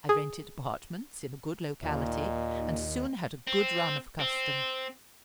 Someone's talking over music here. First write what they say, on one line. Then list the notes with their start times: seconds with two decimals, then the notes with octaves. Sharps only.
I rented apartments in a good locality, and soon had a good run of custom.
0.09 G#4
1.83 D#2 A#2 D#5
3.47 C4
4.20 C4